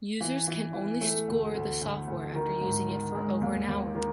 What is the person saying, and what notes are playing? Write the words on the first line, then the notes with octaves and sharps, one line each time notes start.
Users can only score the software after using it for over an hour.
E3
E3
E3
A3
D2
D2
D2
D2
D#3
G#2
D#3
G#3
D#2
D#2
D#3